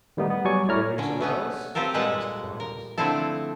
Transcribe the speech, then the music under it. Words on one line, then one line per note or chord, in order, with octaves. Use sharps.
"To bury somewhere else?" asked Quarles.
D#3 G3 A3 B3 D#4
B3
F#3 G3 D5 G#5 C#6
A3 E4 C#5 D5 A#5 F6
D3 C#4
A3 B3 C#4
C4 F4 G4 A4 A#4
A#2 G3 G#3 A4 B4 F#5
A#4
D3 F3 A3 C4 E4 A4